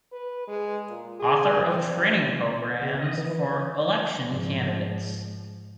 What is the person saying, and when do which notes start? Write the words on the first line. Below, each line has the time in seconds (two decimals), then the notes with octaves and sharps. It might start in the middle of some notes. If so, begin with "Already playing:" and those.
Author of training programs for election candidates.
0.12 B4
0.48 G#3
0.88 A#2
1.20 G#4
1.65 C4
1.94 G2
2.82 C#3
2.99 D#5
3.18 E3
4.27 G#2 F3